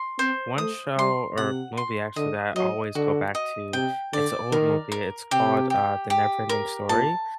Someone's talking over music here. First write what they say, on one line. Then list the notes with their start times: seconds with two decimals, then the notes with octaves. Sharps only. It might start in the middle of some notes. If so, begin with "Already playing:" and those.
One show or movie, actually, that I always go back to, it's an old movie. It's called, uh, The Never Ending Story.
Already playing: C6
0.19 C4 C5
0.58 A3 D#6
0.97 G3 C6
1.38 C3 F#5
1.77 C6
2.16 D3 D#5
2.56 F#3 D#5
2.95 D3 F#4
3.35 D#5
3.73 C3 G5
4.13 D3 D5
4.52 D#3 A#4
4.92 A#4
5.31 C3 G4
5.70 G4
6.10 G4
6.49 A#4
6.89 A#2 A5